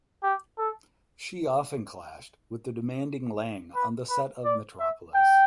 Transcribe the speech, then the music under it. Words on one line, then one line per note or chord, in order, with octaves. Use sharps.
She often clashed with the demanding Lang on the set of "Metropolis".
G4
A4
B4
B4
D5
E5
G5